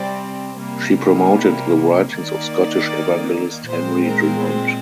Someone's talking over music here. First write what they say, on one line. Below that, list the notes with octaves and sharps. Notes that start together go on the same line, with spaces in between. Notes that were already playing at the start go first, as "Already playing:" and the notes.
She promoted the writings of Scottish evangelist Henry Drummond.
Already playing: C3 G3 C4 D5
C3 G3 A#3
D#3 A#3 D5
A#2 G#3 C4 C5
A#4
C5